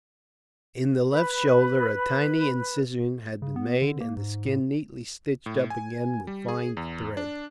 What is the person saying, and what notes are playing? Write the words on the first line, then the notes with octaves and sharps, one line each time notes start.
In the left shoulder a tiny incision had been made and the skin neatly stitched up again with fine thread.
B4 B5
C#3
B3
D3
A#3
G#2
A2
A2
G#5
G3
G#4
E2
D4